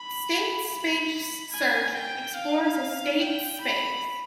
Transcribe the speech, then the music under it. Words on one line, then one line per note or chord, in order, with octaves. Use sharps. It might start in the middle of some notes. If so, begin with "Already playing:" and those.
State space search explores a state space.
Already playing: B5
B5
G#5
G5
F5
G5
B5